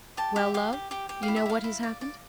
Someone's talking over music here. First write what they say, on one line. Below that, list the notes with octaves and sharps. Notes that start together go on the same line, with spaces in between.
"Well, love--you know what has happened?"
G4 A5
G4 E5
G4 F5
G4
G4 G5
G4 G5
F5
E4
E5
E4 F5
E4
D5
D5